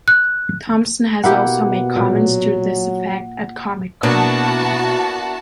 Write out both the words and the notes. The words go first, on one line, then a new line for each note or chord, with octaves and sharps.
Thompson has also made comments to this effect at Comic-Con.
F#6
B2 A#3 E4 G4 F#5
A#2 F#3
B2 A#3 B3 D4 E4 F#4 A5